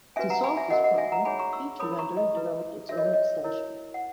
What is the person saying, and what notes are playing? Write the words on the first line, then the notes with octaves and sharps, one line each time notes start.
To solve this problem, each vendor developed its own extension.
C#4 F#4 B4 E5 G#5
F#5 A#5
G#5 B5
E5 G#5
C#4 F#4 A#4 D#5 F#5
D#5 F#5
E5 G#5
F#5 A#5
D#4 G#4 C#5 G#5 B5
A#5 C#6
C#6 E6
E4 A#4 C#5 B5 D#6
B5
A#5 C#6
D#5
E4 B4
F#4 A#4 C#5 E5
D#5
C#5
D#5
E4 A#4 C#5
F#5